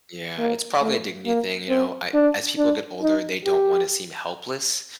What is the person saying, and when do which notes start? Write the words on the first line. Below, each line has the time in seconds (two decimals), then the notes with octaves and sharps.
Yeah. It's probably a dignity thing, you know? I as people get older, they don't wanna seem helpless.
0.39 A#3
0.81 A3
1.26 A#3
1.69 C4
2.14 D4
2.58 D4
3.02 D#4
3.45 G4